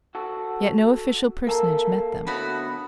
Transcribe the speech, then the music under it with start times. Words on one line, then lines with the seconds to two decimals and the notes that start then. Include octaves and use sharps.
Yet no official personage met them.
0.15 F#4 A4
1.47 A#3 A4 A#4 G#5 A#5
2.27 D3 F#3 A3 B3 F#4 B5